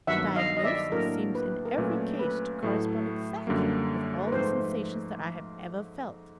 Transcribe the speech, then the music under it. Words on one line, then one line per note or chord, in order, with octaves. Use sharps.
The diagnosis seems in every case to correspond exactly with all the sensations that I have ever felt.
G2 D#3 F#3 B3 D4 E5 F#5
D#5 F5
D#5
D5 E5
A2 F#3 A#3 D4 A#4
B4
A#4
A#2 F#3 A3 C#4 B4
B4
A2 F#3 A3
F#2 D3 G3 A#3
B4
G#2 F3 A3 C5